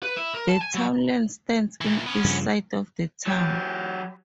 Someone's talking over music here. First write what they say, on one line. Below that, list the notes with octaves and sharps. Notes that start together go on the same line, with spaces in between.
The townland stands in east side of the town.
B4
E4
A#4
A5
G#5
F#3
A#2 E3
B3 C#4
G2 C#3 F3
F#3 G4